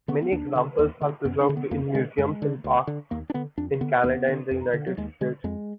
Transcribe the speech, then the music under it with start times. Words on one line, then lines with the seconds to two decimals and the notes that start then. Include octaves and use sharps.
Many examples are preserved in museums and parks in Canada and the United States.
0.08 D3 B3
0.22 B3
0.32 D#2 D4
0.55 D3
0.79 D#2
1.01 D3
1.25 F#2 B3
1.41 D4
1.49 D3
1.57 B3
1.71 F2 A#3
1.95 D3 G#3
2.18 F#2 G#3
2.42 D3
2.64 D2
2.87 D3
3.11 D#2 A#3
3.30 D4
3.34 D3 B3
3.58 F2 D4
3.81 D3 B3
4.04 D#2 B3
4.28 D3
4.51 F2
4.73 D3
4.87 F#3
4.97 D#2 G#3
5.21 D3 G#3
5.44 F2 G#3